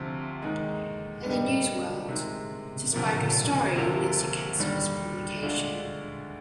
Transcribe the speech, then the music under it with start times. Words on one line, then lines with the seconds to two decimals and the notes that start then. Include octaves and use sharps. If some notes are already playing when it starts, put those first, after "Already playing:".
In the news world, to "spike" a story means to cancel its publication.
Already playing: D2 C3 F3 C4
0.42 D#2 D#3 G#3 D#4
1.25 D3 G3 A#3 D#4 G4
2.08 C3 D#3 G#3
2.93 D2 C3 F3 A#3
3.76 D2 C3 F3 A#3
4.59 D#2 D3 G3
5.42 D2 D3 G#3 D4 F4